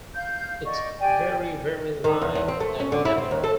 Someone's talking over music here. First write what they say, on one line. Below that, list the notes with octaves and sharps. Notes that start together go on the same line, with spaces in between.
It's veri veri Lime and Lemoni.
F5 G6
D5 D#5 F#5 C#6
G4 D5 G5 G#5
D#3
E2
E2
C4
A3
C#4
D3
E4
C4
D#2
A4